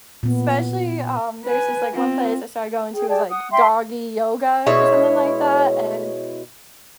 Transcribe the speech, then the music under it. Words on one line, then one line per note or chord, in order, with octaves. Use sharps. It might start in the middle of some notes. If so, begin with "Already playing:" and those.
Especially, um, there's just like one place I started going to is like doggy yoga or something like that and
A#2 B3
B4 G#5
C4 F4
G#4 G5
G#4 D5 G5 A5
F#5 D#6
E5 G5 C6
B2 G#3 E4 C#5